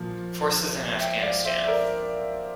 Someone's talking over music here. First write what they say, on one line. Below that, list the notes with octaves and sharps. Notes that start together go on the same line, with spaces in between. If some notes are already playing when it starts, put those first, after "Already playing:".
Forces in Afghanistan.
Already playing: A#2 F3 A#3
E5 G5
D5 F5
C5 E5
E5
A#4 D5